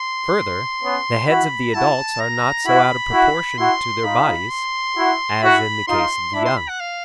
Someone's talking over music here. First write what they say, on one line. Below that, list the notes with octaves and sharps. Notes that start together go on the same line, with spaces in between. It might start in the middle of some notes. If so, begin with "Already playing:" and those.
Further, the heads of the adults are not so out of proportion to their bodies as in the case of the young.
Already playing: C6
B3 C#4
E4 F#4 B5
E4 F#4 A5
A#5
E4 F#4 B5
E4 F#4
E4 F#4 C6
D#4 F4 B5
C6
E4 F#4
E4 F#4 B5
D#4 F4 C6
D4 E4 B5
C6
B5
F#5
F5